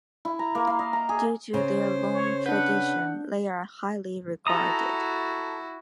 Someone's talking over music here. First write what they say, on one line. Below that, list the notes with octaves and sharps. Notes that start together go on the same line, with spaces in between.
Due to their long tradition, they are highly regarded.
E4
A#5
A#3
F5
D#5
A#5
G#4
C#3 C5
C#5
D4 B4 F#5 G6
E4 F#4 A4 A#5 D#6